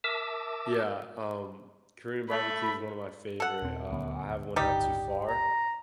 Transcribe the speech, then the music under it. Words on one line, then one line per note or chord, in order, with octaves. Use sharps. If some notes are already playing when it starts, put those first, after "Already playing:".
Yeah, um, Korean barbecue is one of my favorite, uh, I have one not too far
A#4 E5 A5 D6 E6
A3 B5
A4 F#5
D#1 C4
D#1 D2 B3
D1 G1 C#2 G3 D#4 G4
A#5